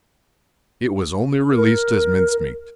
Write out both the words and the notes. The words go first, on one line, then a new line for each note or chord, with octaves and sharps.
It was only released as mince-meat.
A#4